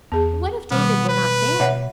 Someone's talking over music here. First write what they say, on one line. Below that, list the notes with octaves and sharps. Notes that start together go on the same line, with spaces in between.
What if David were not there!
E2 B3 G#4
B2 D#3 G3 B3
B4
B2 C#5 E5 F#5